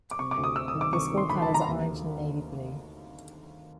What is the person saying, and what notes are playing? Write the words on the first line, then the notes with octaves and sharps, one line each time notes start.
The school colors are orange and navy blue.
D6
C3 C#6
D6
D2
D#6
C3 E6
D#6
D#3
D6
C3 C#6
D#3
C6
D2 B5
A5
D#3
A#5
D#2